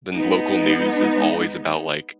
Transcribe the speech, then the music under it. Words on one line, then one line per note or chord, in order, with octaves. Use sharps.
then local news is always about, like,
G#3 B3 D#4